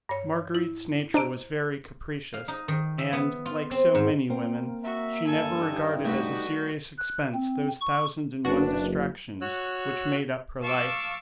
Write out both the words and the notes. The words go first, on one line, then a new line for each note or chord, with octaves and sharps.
Marguerite's nature was very capricious, and, like so many women, she never regarded as a serious expense those thousand and one distractions which made up her life.
G2 C#5
E4
D4 C5 D#5 A#5 D7
F5
D#4
D#3
E5
B3
F4
C4
G#2
A#3 C4
F#4 E5
G2 A4 G#5
D#4 G4
G3 A3 F#4 B4 E5
F#6
C4
C#6
F#1 D4 F#4 B4
F#4 C#5 E6 F#6
F5 A5 C#6 D6 E6